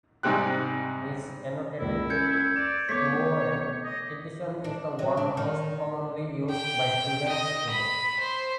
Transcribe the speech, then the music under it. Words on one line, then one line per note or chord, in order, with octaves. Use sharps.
His annotated "Shuowen" edition is the one most commonly used by students today.
G#2 C3 G3 C4 F#6
C#2 A#3 E4 D5
C#4 A#4 G6 G#6 C#7
D5 E7
A3 B3 C#5 D6 B6
D#5
D4
F#3
D4
D#3
G5
D#5
B5
C5